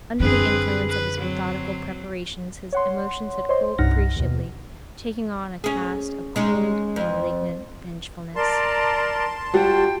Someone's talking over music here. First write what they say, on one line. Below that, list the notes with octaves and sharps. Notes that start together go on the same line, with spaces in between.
Under the influence of his methodical preparations, his emotions had cooled appreciably, taking on a cast of cold malignant vengefulness.
F#2 D3 C4 G#4 B4
B4
F#3 C4
C#5 F#5 C6
C5 C#5 D#5 C6
C2 G2 D#4 F#5 F6 A#6
D#2 B2
C#4 G#4
G#3 C#4 D#4
F2
A#4 D5 A5 A#5 C6
G3 F4 F#4 G5